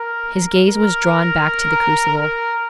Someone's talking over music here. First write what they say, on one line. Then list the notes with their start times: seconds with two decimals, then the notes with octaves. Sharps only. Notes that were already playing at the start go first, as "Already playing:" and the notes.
His gaze was drawn back to the crucible.
Already playing: A#4
0.67 A#4
2.18 A#4